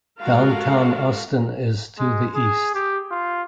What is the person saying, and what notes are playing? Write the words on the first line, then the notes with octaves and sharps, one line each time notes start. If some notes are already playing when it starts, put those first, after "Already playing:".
Downtown Austin is to the east.
G#3 F4 F#4 A4 A#4 F5
G#3
G#4
G4
F4